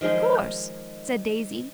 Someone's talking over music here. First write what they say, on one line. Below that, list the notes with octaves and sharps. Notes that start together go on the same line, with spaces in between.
"Of course!" said Daisy.
D#3 F3 G#3 D#4